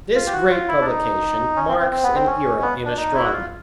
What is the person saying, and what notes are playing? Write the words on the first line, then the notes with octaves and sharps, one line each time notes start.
This great publication marks an era in astronomy.
F4
G4
F#4
F4
E4
D4
D#4
C#4
C4
C4
C4
B3
C4
C#4
B3
D4
D#4
E4
F#4
F4